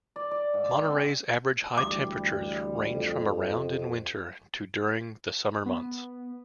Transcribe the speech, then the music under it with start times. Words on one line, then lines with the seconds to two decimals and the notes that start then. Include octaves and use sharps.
Monterey's average high temperatures range from around in winter to during the summer months.
0.16 D5
0.31 D5
0.54 G#2
0.71 C6
0.85 C4
1.78 D2 E3 G3 D6
2.94 F2
5.66 B3